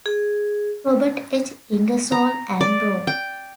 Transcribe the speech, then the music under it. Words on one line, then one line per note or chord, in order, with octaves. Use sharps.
Robert H. Ingersoll and Bro.
G#4
A#5
D5
G5